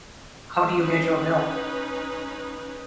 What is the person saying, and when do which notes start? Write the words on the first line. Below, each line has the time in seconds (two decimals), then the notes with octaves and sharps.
How do you get your milk?
0.78 C#4 D#4 B4